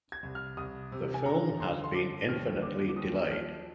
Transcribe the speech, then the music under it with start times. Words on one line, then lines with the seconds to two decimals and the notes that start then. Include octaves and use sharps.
The film has been infinitely delayed.
0.12 G#6
0.23 C2
0.35 F6
0.57 C2 D#6
0.92 C3
1.14 G#5
1.25 D3 A#5
1.60 D3 C6
1.84 C6
1.94 F3 D6
2.29 D#2 F6
2.62 D3 D6
2.88 D6
2.96 D#2 D#6
3.31 F3 F6